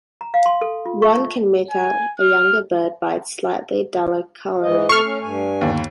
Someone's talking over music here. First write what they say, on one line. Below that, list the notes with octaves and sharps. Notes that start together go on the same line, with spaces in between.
One can make out a younger bird by its slightly duller coloring.
A#5
F5
C6
A4
F4
C#6
G#5
F6
G#2 E3 D#5
C3 A3 A4 C#6 F6 C7
C#4
G2 G#5
G1 D#2